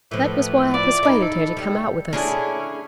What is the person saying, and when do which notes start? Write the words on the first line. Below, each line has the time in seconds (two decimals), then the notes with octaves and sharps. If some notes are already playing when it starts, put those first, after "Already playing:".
That was why I persuaded her to come out with us.
0.11 A2 E3 F3
0.74 E4 D5
1.03 A2 D#4 B4
1.22 A4
1.57 G3
2.13 D3 C#4 D4 E4 G#4